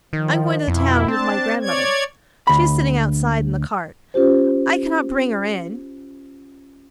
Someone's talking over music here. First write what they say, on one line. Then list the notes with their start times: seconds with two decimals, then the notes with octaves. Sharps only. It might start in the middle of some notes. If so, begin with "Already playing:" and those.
'I am going to the town with my grandmother. She is sitting outside in the cart; I cannot bring her in.
0.13 D#3 F3
0.68 F2 B2 E4
1.08 C4 D4 A5
1.62 C#5 D5 G#6
2.47 D2 B5
4.14 C#4 F4 G4 C5